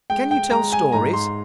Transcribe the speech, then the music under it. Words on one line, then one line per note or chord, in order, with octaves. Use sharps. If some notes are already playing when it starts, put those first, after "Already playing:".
'Can you tell stories?
G#3 G5
G5
G#3 A#5
G#5
G#2 A#5
C6